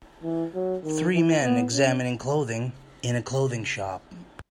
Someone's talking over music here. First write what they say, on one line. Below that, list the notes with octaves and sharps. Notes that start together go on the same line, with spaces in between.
Three men examining clothing in a clothing shop.
E3
F#3
D#3
E3
B3
C#4